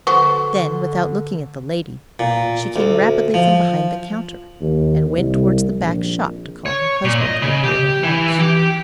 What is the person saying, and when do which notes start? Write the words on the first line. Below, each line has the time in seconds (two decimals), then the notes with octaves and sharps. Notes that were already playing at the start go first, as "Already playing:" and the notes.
Then, without looking at the lady, she came rapidly from behind the counter, and went towards the back-shop to call her husband, who appeared at once.
0.07 D3 B3 F#4 C5 C#6
2.19 A#2
2.76 D2
3.34 F3
4.61 D#2
5.17 C2
5.80 A#1
6.66 C#5
7.05 A#2
7.21 D#5
7.42 C#3
7.64 G4
8.03 E3
8.40 G4